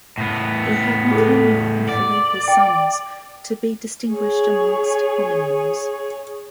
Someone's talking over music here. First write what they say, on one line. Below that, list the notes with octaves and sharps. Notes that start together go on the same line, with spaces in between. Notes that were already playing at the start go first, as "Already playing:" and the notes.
He had Nicanor and Philippe as sons, to be distinguished amongst homonyms.
A2 B3
G#4 A4
D5
G5
G#4 C#5